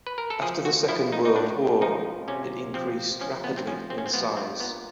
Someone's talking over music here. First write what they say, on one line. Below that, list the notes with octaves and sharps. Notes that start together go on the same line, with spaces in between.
After the Second World War, it increased rapidly in size.
B4
A#4
A4
F3 G#4
F#4
F3 E4
D#4
D#4
A2 D4
F3 D#4
C3 C#4
F3 C4
F3 C#4
B3
C4
F3 C#4
C4
C#4
C4
F3 B3
C4
A#2 B3